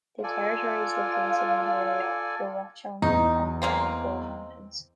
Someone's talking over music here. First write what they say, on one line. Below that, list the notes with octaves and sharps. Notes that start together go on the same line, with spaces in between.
The territory is located in the area of the Watchung and Ramapo Mountains.
F4 A4 D5 G#5
E2 D#4
G#3 A#3 C4